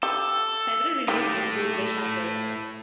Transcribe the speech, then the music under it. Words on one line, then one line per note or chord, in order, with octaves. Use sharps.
Several windows at the school were shattered.
G4 A4
A2 D#3 A3 G4